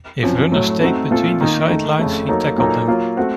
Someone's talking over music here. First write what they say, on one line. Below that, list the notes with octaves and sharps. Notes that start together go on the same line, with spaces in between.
If runners stayed between the sidelines, he tackled them.
F#2 F3 C4
A2 F#3 A3
A3 C4 D#4 F#4
A#2 A3 C4 F4 A4
D#3 A#3 D#4
D#3 A3 D#4
F2 C#3 A3
F#3 A#3 D#4 A4
A#2 F#3 A#3 D#4 A4
F#3 A#3 F4
A3 C4 F#4 C5